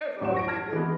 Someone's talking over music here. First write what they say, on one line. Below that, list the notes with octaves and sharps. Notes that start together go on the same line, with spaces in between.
all you can do.
F#2 A2 F#3 G3 F#5 E7
C#6 A#6 D7
A5 F6 G#6 A#6
E3 G#3 B3